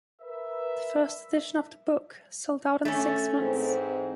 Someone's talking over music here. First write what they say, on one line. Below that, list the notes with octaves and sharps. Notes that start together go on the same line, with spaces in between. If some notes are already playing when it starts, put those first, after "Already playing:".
The first edition of the book sold out in six months.
A#4 B4 E5
A3 C#4
G#2 E3 C4